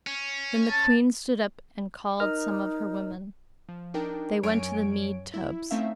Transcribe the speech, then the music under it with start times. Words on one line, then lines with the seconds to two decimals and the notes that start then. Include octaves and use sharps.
Then the queen stood up and called some of her women. They went to the mead tubs.
0.07 C#4
0.71 A5
2.20 D#4 A#4 D#5 F6
3.69 F3
3.94 D4 D#4 A#4 G5
4.43 F#2 F#3 C#5 G#5 D7
5.34 E4
5.70 A3 C4 C#4 D#4 E5 F5